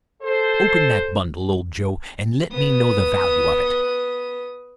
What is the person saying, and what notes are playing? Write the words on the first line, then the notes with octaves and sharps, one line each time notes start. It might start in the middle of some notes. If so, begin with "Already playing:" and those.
Open that bundle, old Joe, and let me know the value of it.
A4 C5
B3 D#6